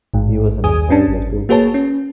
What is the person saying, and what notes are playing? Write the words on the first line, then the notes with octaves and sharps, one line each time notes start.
He was an employee at Google.
A1 G#2
D#2 G#4 G#5 D#6
C#4 D4 A5
G#1
A#3 F#4 G#4 B4 C#5 A5
C#4